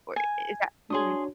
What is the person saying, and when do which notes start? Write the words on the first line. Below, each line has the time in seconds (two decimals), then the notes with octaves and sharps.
or is that Mhm.
0.16 G#5
0.90 D4 F#4 G#4 C#5 C6 D#6